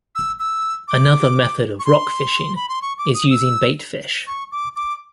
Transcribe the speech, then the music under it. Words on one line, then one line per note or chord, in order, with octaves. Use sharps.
Another method of rock fishing is using bait fish.
E6
E6
D6
C#6
C6
B5
C6
C#6
D6
D#6
E6
C#6
D6
D6